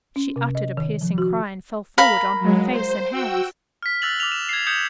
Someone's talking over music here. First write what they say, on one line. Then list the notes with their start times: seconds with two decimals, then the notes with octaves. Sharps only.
She uttered a piercing cry, and fell forward on her face and hands.
0.16 C#4
0.36 C3
0.55 D#5
0.77 D#3
1.01 F3
1.18 F#4
1.98 A#4 F5 B5
2.40 F#3 G#3
2.71 C5
3.11 F#4 G5 E6
3.83 F6 B6
4.02 E6 F#6 A6 B6 F7 F#7
4.19 D6 F6 A6 F7 G7
4.32 E7
4.49 G#6 C7
4.67 D#6 G6 G#6 C#7 E7